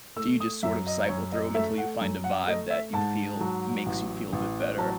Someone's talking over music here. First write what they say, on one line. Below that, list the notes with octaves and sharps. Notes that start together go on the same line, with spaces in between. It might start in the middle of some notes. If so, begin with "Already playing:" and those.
do you just sort of cycle through 'em until you find a vibe that you feel makes you feel a bit better?
A3 E6
D#6
F#2 E5
D#5
F#2 C#5
D#5
A3 E5
F#5
F#2
F#5
A3 D#5
E5
G#2 A5
F#3
A1
A1
F#3 A5